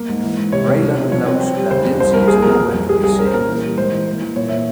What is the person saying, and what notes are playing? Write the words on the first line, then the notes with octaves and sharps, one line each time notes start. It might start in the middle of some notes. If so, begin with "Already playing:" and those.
Raylan notes that Lindsey is nowhere to be seen.
Already playing: A#3
G#2
E3
G#2
C3 C#5
C3
F3
C3
F3 C#5
C4
C4
G3
C#3 C5
F2
C2 C5
C2 A#4
A#3 G#4
F3 A#4
F2
F2
G3 G#4
C2 G#4
C#4 A#4
C5
A#2 A#4
E3
G3
G#2 C5
E3
A#3
E3
A#2 C#5
A#2 E5